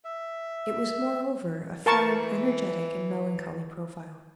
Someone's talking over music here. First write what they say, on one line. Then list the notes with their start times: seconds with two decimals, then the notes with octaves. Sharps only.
It was, moreover, a firm, energetic, and melancholy profile.
0.04 E5
1.86 E3 A#4 A5 C#6